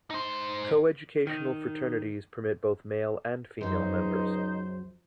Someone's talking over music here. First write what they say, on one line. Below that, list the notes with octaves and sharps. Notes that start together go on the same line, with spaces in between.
Coeducational fraternities permit both male and female members.
D#4 C5
D#3 D#4
C#2 F#2 F#3 D#4 C5